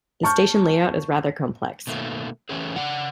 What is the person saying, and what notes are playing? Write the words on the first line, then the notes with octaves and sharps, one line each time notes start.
The station layout is rather complex.
A5 C#6 F6 G6
B2 D#3 A3 A#3
E3 F#3 A3 C#4 G4 G#4
C#3 D5 F#5